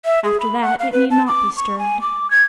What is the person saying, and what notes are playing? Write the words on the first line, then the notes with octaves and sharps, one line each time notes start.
After that it need not be stirred.
E5
G#4
B5
F#5
F5
B4
A5
D6
C#6
G#5
D6
G#6